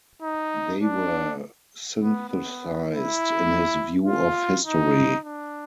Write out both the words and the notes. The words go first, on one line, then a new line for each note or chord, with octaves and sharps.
They were synthesized in his view of history.
D#4
D4
B3
B3
E4
F4
D#4
D4